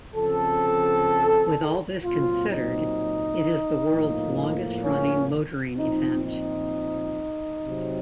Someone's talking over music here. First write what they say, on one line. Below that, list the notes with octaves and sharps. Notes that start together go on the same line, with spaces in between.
With all this considered, it is the world's longest running motoring event.
C#3 F3 C4 A4
A#2 F#3 C4 F4
D#4
A2 F3 A#3
C#4
A#2 F3 C4 D#4
D#4
C3 F#3 C4